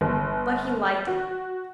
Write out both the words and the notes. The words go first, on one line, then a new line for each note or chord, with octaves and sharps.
But he liked it.
G1
F#4